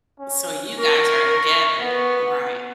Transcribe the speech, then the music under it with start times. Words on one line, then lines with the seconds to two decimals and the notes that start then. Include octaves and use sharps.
So you guys are together, right.
0.19 C#4
0.79 A#4 C#6
1.80 B3